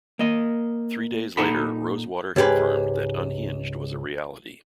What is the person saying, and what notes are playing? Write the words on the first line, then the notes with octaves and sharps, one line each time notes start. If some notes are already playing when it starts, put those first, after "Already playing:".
Three days later, Rosewater confirmed that "Unhinged" was a reality.
A#3 D#5
A#2 D#4 A4 F#5 A#5 B5
C#2 G#2 G4 G#4 B4